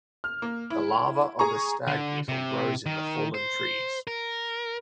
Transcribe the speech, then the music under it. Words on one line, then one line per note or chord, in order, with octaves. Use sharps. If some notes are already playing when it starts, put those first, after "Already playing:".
The larva of the stag beetle grows in the fallen trees.
F6
A#3
E4
G#4 A#5 C#6
D3
C3
D#3
C5
A#4